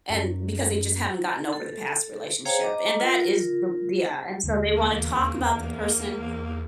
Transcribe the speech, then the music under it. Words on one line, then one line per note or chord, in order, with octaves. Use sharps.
and because they just haven't gotten over the past relationship, and that is the yeah, and so they wanna talk about the person
F#2
A4
G#4 C5 C#5 F5 G5 A#5
D#5 A#5 D6
F4 A#4
D#2 D3 G#3
E2 A#3